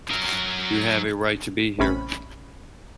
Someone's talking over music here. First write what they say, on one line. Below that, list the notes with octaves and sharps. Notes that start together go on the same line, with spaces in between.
You have a right to be here.
F#3 A#4
A1 C3 C#4 B5